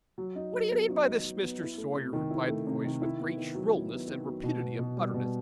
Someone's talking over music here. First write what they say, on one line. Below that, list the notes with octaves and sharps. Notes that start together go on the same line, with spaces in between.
'What do you mean by this, Mr. Sawyer?' replied the voice, with great shrillness and rapidity of utterance.
F#3
D#4
F#3
B3
F#3
D#4
F#3
B3
E4
A3
C3
D#3
E4
A3
C3
D#3
E4
B3
D#3
F#3
E4
B3
D#3
F#3
B2
B3
B2
G3
B2